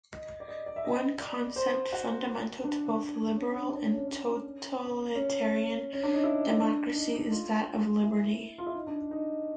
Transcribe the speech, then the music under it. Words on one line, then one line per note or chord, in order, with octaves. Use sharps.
One concept fundamental to both "liberal" and "totalitarian" democracy is that of liberty.
D#5
D5
D#5
D5
E5
D#5
D5
C5
F#4
D4
C#4
C#4
D4
D4
C#4
C#4
C#4
C#4
C#4
D4
D#4
E4
D4
D#4
D#4
F4
E4
F4
E4
D#4
D4
D#4